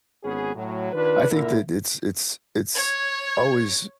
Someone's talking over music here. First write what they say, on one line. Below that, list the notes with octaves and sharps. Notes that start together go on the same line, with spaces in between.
I think that it's it's it's always
G#1 B3 C#4 G#4
A2 F#3
D#3 D4 F4 B4
A#2 D3 E4 A#4 E5
C#5 G#6